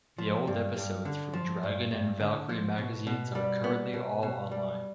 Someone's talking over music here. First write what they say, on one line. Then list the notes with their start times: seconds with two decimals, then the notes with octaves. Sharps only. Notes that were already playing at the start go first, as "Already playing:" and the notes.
The old episodes from Dragon and Valkyrie magazines are currently all online.
0.18 F3
0.47 G2
0.77 G2
1.05 D3
1.34 F3
1.63 G2
1.91 G2
2.20 D3
2.49 F3
2.78 B2
3.07 B2
3.35 G3
3.64 B3
3.93 B2
4.23 B2
4.52 G3